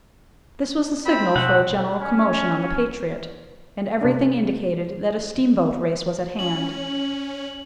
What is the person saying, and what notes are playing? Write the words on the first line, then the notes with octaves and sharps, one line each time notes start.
This was a signal for a general commotion on the Patriot, and everything indicated that a steamboat race was at hand.
C4 B5
B2 F#5
C#4
C3 A#3 D4
C#4 F#7